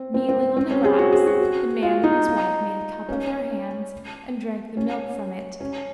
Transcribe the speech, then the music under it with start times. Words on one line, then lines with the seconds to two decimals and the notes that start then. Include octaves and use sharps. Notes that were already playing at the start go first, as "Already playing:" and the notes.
Kneeling on the grass, the man and his wife made a cup of their hands and drank the milk from it.
Already playing: C4
0.14 C4
0.29 C4
0.57 C4
0.71 C#4
0.84 G#4
0.99 F#4
1.12 G#4
1.27 F#4
1.83 F4
2.04 D#4
3.09 C#4
4.77 C#4
5.60 C#4